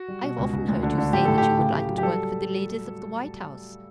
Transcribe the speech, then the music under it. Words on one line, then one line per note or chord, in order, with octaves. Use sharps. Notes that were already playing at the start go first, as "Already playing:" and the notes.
I have often heard you say that you would like to work for the ladies of the White House.
Already playing: F#4
G3
B2
C#2
C#2
D2
D3
D3
A2 G4
A2 A4
A2 G4
C#3 G4
A3 G4
F#3
G4
G3 A4